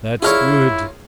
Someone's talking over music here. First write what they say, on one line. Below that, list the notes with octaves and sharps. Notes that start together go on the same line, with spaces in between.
That's good!
E4 F4 G#4 A#4 C#5 F6